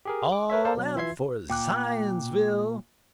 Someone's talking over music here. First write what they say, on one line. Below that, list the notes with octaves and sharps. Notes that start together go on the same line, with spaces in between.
All out for Zionsville!
G4 G#4 A#4
D6
A#4 B4 C#5 E5
A4 C5 D5 F5 A5
B2 F#3
E3 F4 E5 C6 G#6 C7
A#2 G5 D6 F#6